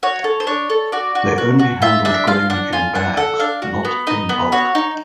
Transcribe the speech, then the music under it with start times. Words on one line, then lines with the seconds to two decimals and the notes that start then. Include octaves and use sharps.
They only handled grain in bags, not in bulk.
0.03 F#4 C#5
0.24 A4
0.40 C5
0.47 D4 C#5
0.70 A4
0.92 F#4 D5
1.15 F#4
1.38 F#4
1.59 F#4
1.82 F4 E5
2.05 D4 E5
2.27 F4 F5
2.50 D4 F#5
2.73 F4 G#5
2.95 D4 F#5
3.17 A4 F#5
3.40 D4 F5
3.62 F#4
3.85 B3
4.07 D#4 D#5
4.29 B3
4.52 F#4 C#5
4.75 D#4